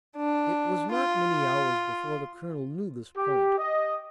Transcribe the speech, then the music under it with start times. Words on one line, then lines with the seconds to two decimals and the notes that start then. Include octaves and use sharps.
It was not many hours before the colonel knew this point.
0.17 D4
0.92 F4
3.16 G4
3.58 D#5